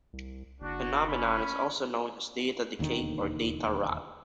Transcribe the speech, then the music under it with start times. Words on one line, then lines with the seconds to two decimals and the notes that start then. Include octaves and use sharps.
The phenomenon is also known as data decay or data rot.
0.13 C2
0.61 F#1 D4 F#4
1.08 C#4 B5
2.79 E1 D#2 D3 D#3